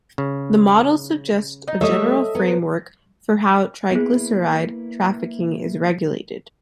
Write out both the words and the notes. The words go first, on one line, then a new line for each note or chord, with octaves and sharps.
The model suggests a general framework for how triglyceride trafficking is regulated.
C#3
D#4
G3 A3 A4 C#5 D#5 E5
F#3 B3
A#3 B3 E4 G#4 B4